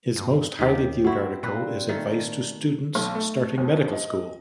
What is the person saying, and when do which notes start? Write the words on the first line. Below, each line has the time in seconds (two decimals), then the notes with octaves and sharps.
His most highly viewed article is advice to students starting medical school.
0.16 G2
0.59 D#2 D#3 G4
1.04 C4 E4 F#4
1.43 A#2 C4 B4
1.89 D#3 A3 A4
2.95 B1
3.15 A3
3.58 F2
3.92 D#5